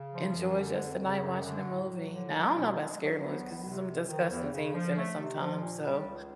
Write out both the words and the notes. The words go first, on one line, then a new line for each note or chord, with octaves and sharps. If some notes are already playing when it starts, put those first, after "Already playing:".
enjoy just the night watching a movie. Now I don't know about scary movies 'cause there's some disgusting things in it sometimes so
Already playing: C#3
F3
F#2
D3
F2
C#3
F#2
D3
A2
F#3
D3
F#3
B2
G#3
F#3
B3
C#2
C3
F#2
D#3
E2
C#3
F3
A3
C3
F3
A#2
G3
C#2